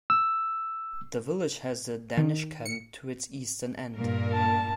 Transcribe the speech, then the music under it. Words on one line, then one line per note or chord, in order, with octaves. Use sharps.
The village has a Danish Camp to its eastern end.
E6
D#3
C#7
G2 A#2 A#4
A5